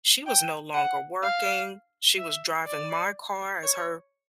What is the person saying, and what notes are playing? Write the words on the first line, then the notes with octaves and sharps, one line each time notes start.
she was no longer working, she was driving my car as her
G5
F#5
F5
E5
D5
C#5